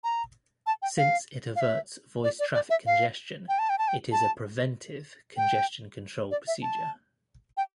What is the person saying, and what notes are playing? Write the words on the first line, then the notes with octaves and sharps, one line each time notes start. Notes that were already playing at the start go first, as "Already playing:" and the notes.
Since it averts voice traffic congestion, it is a "preventive" Congestion Control Procedure.
A#5
A5
G5
F5
F5
E5
D5
D5
D5
E5
F5
G5
A5
G5
A5
G5
A5
G5
D5
E5
A5
G5